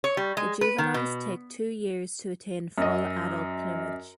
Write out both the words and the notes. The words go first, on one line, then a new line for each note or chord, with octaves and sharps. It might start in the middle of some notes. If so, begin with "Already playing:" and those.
The juveniles take two years to attain full adult plumage.
C#5
G3
G#3
B4
D#3
B2
F#2 D#5